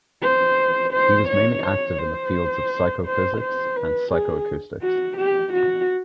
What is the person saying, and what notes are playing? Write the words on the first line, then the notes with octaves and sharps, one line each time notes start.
He was mainly active in the fields of psychophysics and psychoacoustics.
C5
C5
C#5
C#5
C5
C5
C5
B4
G#4
F#4
G4
F#4